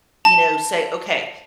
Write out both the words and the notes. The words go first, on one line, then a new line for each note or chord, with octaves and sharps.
you know, say, "Okay,
A5